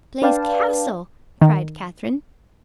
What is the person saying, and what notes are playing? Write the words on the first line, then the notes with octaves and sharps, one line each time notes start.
"Blaize Castle!" cried Catherine.
D4 B4 D5 F5 G5 A5
D#3